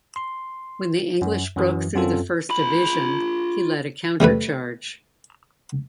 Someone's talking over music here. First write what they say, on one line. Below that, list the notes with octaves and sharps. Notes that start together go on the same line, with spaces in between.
When the English broke through the first division, he led a countercharge.
C6
F#2
F#2 E3 F#3
F#2 C4 F4 A4
F4 B5
C3 G3 A3 B4